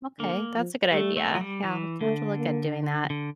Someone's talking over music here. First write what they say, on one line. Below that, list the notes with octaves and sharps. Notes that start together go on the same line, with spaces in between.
Okay, that's a good idea. Yeah, I'll t have to have to look at doing that.
D3 A#3
F3
G3 A3
A3
F3
G3
E3
D3 A3
A#3
D3